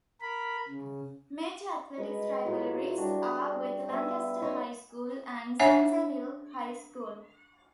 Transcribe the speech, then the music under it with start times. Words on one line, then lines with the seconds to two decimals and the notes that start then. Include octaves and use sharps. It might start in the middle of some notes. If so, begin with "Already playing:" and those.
Major athletics rivalries are with Lancaster High School and Zanesville High School.
0.21 A#4 B5
0.69 C#3
1.98 G#3 A#4 B4
2.45 A2 F#3 F4 D6
2.97 G3 D4 F#4
3.89 B3 B4 E5
4.42 D#4 C#5 D#5 C6
5.60 D4 C#5 E5 F#5 G#5